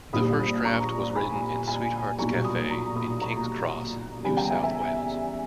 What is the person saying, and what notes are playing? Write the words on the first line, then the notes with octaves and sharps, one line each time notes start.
The first draft was written in Sweethearts Cafe in Kings Cross, New South Wales.
A#1 A#2 G3 B5 D#6
A#5 C#6
G#5 B5
G#5 B5
B1 A#2 G3 A#5 C#6
B5 D#6
A#5 C#6
B5 D#6
A#5 C#6
E2 C#3 G3 G#5 B5
G5 A#5
E5 G#5
E5 G#5